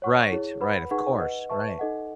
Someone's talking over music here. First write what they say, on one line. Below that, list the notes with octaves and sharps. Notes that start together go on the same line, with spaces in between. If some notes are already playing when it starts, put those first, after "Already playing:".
Right, right, of course, right.
C#5 F#5 C#6
E4 G#4 C#5
B4 F#5 B5
D#4 G#4 B4 F#5 C#6
B4 D#5 F#5
B4 E5 A5 C#6
D#4 A4 D#5 F#5